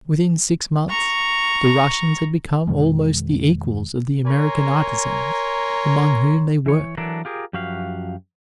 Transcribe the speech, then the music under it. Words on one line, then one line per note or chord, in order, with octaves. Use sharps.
Within six months the Russians had become almost the equals of the American artisans among whom they worked.
A#5 C#6
F2 B2 D#3 G#3
A#4 C#5 G#5 A#5 C6
E3 C#5
E3 F#3 D4 A4 A#4
F4 G4 G#4 A#4
F#2 F3 F#4 G4 F5